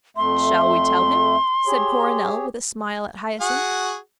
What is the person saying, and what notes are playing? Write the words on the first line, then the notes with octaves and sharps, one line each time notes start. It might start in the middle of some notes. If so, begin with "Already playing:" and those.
"Shall we tell him?" said Coronel, with a smile at Hyacinth.
F2 A3 E5 C6
G4 G#4 C#5
F#4 G#4 F#5